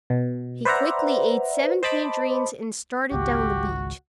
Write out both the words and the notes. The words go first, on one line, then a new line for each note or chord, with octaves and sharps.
He quickly ate seven tangerines and started down the beach.
B2
B4 C5 D5 E5 F#5 A#5
C5 D#5 A5 B5 D6
G#1 C#2 F#4 G4